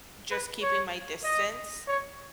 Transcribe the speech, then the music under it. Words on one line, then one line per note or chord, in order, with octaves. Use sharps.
just keeping my distance.
B4
C#5
D#5
C#5